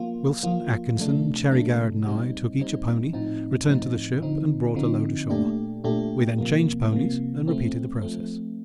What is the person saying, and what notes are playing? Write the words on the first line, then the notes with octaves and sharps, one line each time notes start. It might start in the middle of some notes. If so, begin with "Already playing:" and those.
Wilson, Atkinson, Cherry-Garrard, and I took each a pony, returned to the ship, and brought a load ashore; we then changed ponies and repeated the process.
Already playing: F3 A#3 F4
F3 A#3 F4
C3 F3 A3 D4
C3 F3 A3 D4
A#2 G3 C4 D#4
A#2 G3 C4 D#4
A2 F3 C4 D#4
A2 F3 C4 D#4
D3 F3 C4 D#4
D3 F3 C4 D#4
A#2 A3 D4 G4
A#2 A3 D4 G4
C3 F3 A#3
C3 F3 A#3
F3 A3 C4
F3 A3 C4